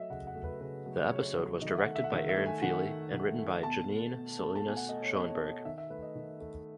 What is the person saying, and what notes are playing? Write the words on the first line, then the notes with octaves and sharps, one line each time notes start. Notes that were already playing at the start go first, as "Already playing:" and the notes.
The episode was directed by Erin Feeley and written by Janine Salinas Schoenberg.
Already playing: F#3 A3 D#5 E5
C#3 F#5
F#5
F#3 A3
B4
C#3 B4
F#3 A3
C#3 C#5
F#3 A3
D#3 D#5
E5
F#5
A3
E5
F#5
D#3 E5
E5
A3
G#5
D#3 F#5
A3
D#3
A3
B2 A5
A3
B2
A3
A5
B2 G#5
F#5
A3 D#5
C#5
B2 D#5
C#5
A3 D#5
D#3 E5
E5
A3 B4
D#5
D#3
A3